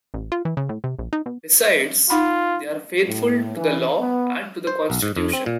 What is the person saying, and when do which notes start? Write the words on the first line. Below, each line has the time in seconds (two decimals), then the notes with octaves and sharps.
Besides, they are faithful to the law and to the constitution.
0.14 A1
0.32 F4
0.45 E3
0.57 C#3
0.69 A2
0.84 C3
0.99 A#1
1.13 D#4
1.26 B2
2.10 D#4 F4 F#5 B5
3.07 A2
3.57 E3
4.00 B3
4.67 C5
4.90 B1
5.02 G#2
5.16 F2
5.33 C4
5.46 A#2